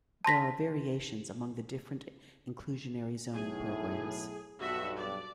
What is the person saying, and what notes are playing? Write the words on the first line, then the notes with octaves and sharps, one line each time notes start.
There are variations among different inclusionary zoning programs.
A5 C6 A#6 B6
B1 A2 G#4
B1 G2 F#4 E5
D5